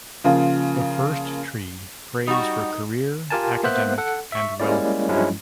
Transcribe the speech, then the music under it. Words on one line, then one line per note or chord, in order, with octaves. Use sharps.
The first tree prays for career, academic and wealth.
C#3 F3 A#3 F4
G3 D#4 F#4
F4 G4 A#4 G#5 A5
A#3 B3 C5 E5 F#6
A4 F#5
E5 C#6
G3 G#3 A#3 C#4 E4 D5
G2 F3 F#3 G#3 C#4 E4